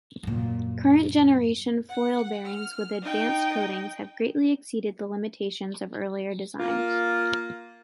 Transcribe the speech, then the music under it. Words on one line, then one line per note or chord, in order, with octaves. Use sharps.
Current-generation foil bearings with advanced coatings have greatly exceeded the limitations of earlier designs.
F#2 A#2
F#5
F6
D#4 G5
A#3 F4